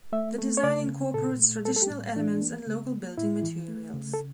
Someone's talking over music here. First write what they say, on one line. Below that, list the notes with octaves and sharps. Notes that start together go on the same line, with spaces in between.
The design incorporates traditional elements and local building materials.
A3 E5
A3
C#5
C#3 D5
C#3
A#2 A4
A3
G3 A4
A4
G4
A2
E3 D4
A#3
C#3
A#3
A2 E4
E3
A3
C#3
A4